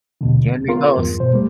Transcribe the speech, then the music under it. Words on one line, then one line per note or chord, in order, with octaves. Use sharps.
You and me both.
D#2 B2 D3
B3 F4 A#4 C6
E2 G2
B2 C5
G3 A3 A#3